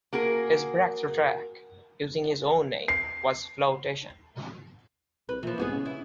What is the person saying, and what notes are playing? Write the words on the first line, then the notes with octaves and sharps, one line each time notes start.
His breakthrough track, using his own name, was "Flowtation".
A#3 F#4 G#4 A#4
C7
C2 B4
A#2 E3 F3
C2 G#2 B3 G#4
C#3
E4